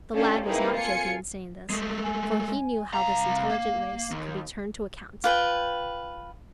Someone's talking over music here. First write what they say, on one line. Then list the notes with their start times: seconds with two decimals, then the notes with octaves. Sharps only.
The lad was not joking in saying this, for he knew how this intelligent race could be turned to account.
0.14 C#4 D4 F4 G4 A4
0.46 A#3 C4 D#4 E4 G#4 B4
0.74 F4 A4 G#5 C#7
1.70 G#3 A3
2.03 G#5
2.94 C2 F5 A#5
3.50 A#3
4.11 D#2
5.24 F4 B4 G5